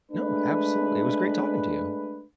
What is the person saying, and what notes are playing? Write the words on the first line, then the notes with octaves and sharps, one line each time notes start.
No, absolutely, it was great talking to you.
G#3 A3 D4 B4